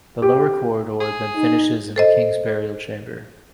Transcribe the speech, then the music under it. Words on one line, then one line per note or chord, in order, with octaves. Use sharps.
The lower corridor then finishes in the king's burial chamber.
G4
G#4
D#4
A4 C5 D#5